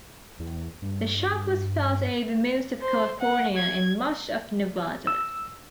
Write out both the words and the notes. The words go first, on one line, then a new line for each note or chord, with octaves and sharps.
The shock was felt over most of California and much of Nevada.
E2
G2
C5
F#5
G#6
E6